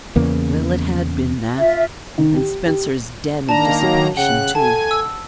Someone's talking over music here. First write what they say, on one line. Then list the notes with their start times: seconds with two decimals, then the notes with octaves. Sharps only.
Well, it had been that, and Spencer's den of dissipation too!
0.16 E2 C#3 A#3
1.59 F4 E5
2.18 D#3
2.34 G4
2.66 G4
3.49 D#3 A#3 D4 A5 A#5 F7
3.82 F#3
4.17 C#3 F#5 G5 F#6
4.55 A4 G#5 A5
4.91 E6